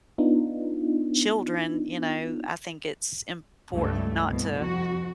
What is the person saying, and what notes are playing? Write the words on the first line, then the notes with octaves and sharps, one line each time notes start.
children, you know, I think it's important not to
B3 D4 D#4 F4
C#2 G2 A3
C2 G2 B2
F2 F#4